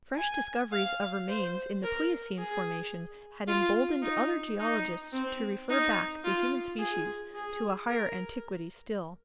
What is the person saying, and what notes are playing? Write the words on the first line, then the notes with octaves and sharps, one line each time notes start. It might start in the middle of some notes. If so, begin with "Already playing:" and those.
Fresh discoveries of remains in the pleiocene formation had emboldened other geologists to refer back the human species to a higher antiquity still.
G#5
F5
C5
A#4
G#4
F4
D#4
D#4
C4
D#4
F4
G#4
G#4
A#4